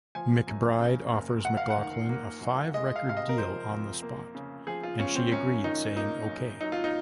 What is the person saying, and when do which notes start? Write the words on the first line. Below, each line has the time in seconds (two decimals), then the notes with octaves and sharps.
McBride offered McLachlan a five-record deal on the spot, and she agreed, saying Ok.
0.15 F3 G#5
0.47 F#2
0.80 C#3
1.13 F#1
1.45 F#2 F#5
1.57 F5
1.70 F#5
1.77 D#3
2.09 A#3
2.41 F#2
2.74 G#3 D#5
2.96 F5
3.06 C3 F5
3.17 D#5
3.29 A#4
3.38 F3 C5
3.70 F2
4.03 A#3
4.35 C#3
4.67 F3 G#4
4.83 F4
4.99 C#2 C#4
5.16 C4
5.32 F#2 C#4
5.64 D#3 D#4
5.96 A#3 D#4
6.29 F#2
6.61 F#3 D#4
6.72 F4
6.84 D#4